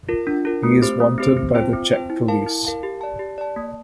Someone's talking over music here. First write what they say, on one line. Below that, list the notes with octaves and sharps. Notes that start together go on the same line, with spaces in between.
He is wanted by the Czech Police.
F4 A#4
D4
F4 A#4
A3
C4 G4 C5
A3
C4 G4 C5
C4
F4 C5 G5
C4
F4 C5 G5
E4
A#4 F5 A5
E4
A#4 F5 A5
G4
D5 A5
G4
D5 A5
A#3